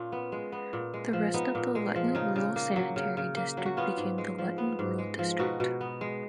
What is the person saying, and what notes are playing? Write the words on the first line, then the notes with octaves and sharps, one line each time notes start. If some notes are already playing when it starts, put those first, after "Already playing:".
The rest of the Luton Rural Sanitary District became the Luton Rural District.
Already playing: A#2 C#4 F4
B3
G#3
B3
A#2
G#3
F3
B3 D#4
A#2
G#3
F3
C#3 D#4
C#3
A#3
F#3
C#3
C#3
A#3
F#3
F#4
B3 C#4 F4
G#2
G#3
F3
B3
G#2
G#3
F3
B2 D#4 F#4
B2
B3
G#3